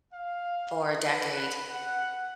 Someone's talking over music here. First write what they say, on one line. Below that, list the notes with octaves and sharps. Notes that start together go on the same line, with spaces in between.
for a decade.
F5
B4
F#5